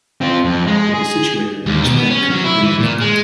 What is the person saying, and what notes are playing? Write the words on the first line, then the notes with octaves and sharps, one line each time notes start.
It is situated on the west bank of the Green River.
C4 F4
F2
G#3
G#4
D#2
B2
B3
C#4
F#3
E4
E3
A#2
G#3